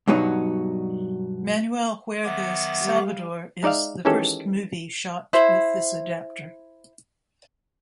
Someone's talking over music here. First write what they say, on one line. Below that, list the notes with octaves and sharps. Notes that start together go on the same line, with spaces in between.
Manuel Huerga's "Salvador" is the first movie shot with this adaptor.
G2 B2 F#3 D#4 F#4
D#3 F#3 B3 E5 F#5 D6
G3 G4 F5
G#3 D#4 D5 E5 F5
D#3 E3 G#3 C#4 G4 A4
E4 C5